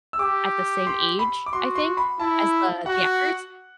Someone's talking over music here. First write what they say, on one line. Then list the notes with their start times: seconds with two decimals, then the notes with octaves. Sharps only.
at the same age, I think, as the the actors,
0.13 E6
0.19 G4 D6
0.87 C6
1.19 B5
1.46 D6
1.53 F#4 C6
1.76 C6
1.97 B5
2.20 E4 A5
2.86 F#4 F#5